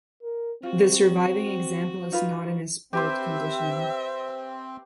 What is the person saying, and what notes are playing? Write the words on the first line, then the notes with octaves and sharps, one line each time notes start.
The surviving example is not in as built condition.
A#4
C4 F4 F#4
D#4 F4 B4
C4 G4 B4 C5 E5